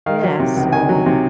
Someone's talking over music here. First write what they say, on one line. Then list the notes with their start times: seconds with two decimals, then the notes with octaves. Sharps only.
Yeah, so
0.06 D#3 F5
0.23 F#3
0.40 C3
0.56 C#2
0.72 D#3 G#5
0.89 F#3
1.06 C3